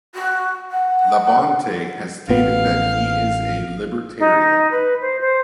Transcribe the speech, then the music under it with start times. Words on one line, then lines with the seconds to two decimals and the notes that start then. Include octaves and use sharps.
Labonte has stated that he is a libertarian.
0.14 F#4
0.71 F#5
2.29 A1 B3 F5
4.19 D#4
4.70 B4
5.01 C5
5.20 C5